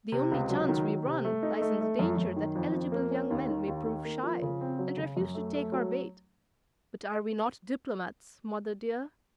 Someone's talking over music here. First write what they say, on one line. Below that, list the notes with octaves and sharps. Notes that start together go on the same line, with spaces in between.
The only chance we run lies in the danger that eligible young men may prove shy, and refuse to take our bait; but are we not diplomats, mother dear?
C3
C#2
F#3
D#3
D#3
C3
A3
D#4
A3
A3
F#2
F#2
D#3
F2
F2
A#3
C#4
D#2
D#3
D#2
D#3
A#3
F3
C#3
C4
F#3
C#3
F#2
A3
A3
F#3